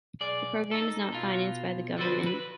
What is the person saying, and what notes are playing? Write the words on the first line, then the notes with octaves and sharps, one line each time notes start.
The program is not financed by the government.
B1 G#4 D5
D#4 A4
B2 F4
D3 F3 F#3 F#4 B4
B4